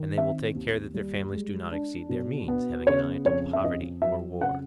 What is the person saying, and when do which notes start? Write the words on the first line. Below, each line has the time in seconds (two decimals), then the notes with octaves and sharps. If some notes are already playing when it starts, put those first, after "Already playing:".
And they will take care that their families do not exceed their means; having an eye to poverty or war.
Already playing: D#3
0.17 C4 E5
0.55 D#2
0.94 G3
1.32 G#3
1.72 D4
2.09 B2
2.48 B3
2.87 C#3 C#5
3.25 F2 C#5
3.53 E5
3.64 F2 D#5
4.02 F#3 E5
4.40 C#3 F#5